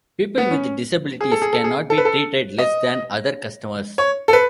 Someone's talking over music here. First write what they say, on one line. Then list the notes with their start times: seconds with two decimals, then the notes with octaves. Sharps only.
People with disabilities can not be treated less than other customers.
0.38 B3
0.51 C#4
1.21 G#4
1.31 A4
1.42 G#4
1.53 A4
1.64 G#4
1.90 A4
1.98 B4
2.05 A4
2.58 D#5
3.98 C#5
4.28 A4
4.33 B4